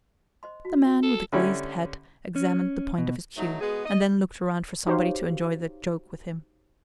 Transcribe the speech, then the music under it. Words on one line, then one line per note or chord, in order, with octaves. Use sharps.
The man with the glazed hat examined the point of his cue, and then looked around for somebody to enjoy the joke with him.
C5 D#5 C6
F#4
F#4 E5
A4
D3 G3 C#4 E4
C#4
B2
F#3 A3 D#4
G#3 B3 F#4 G#4
D#5
D#4 F#4 G4 C5 C#5 F5